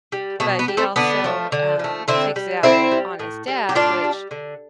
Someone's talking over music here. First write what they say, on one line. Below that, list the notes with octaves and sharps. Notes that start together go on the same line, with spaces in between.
But he also, um, takes it out on his dad, which
G3
B2 A3
B3
G3
A3 C4
D3 B3 D4
F3 A3
D3
F3 A3
D3 C4 E4
G3
D3 C4 E4
G3
A2
G3
G4
A2 D4 F4
G3
D3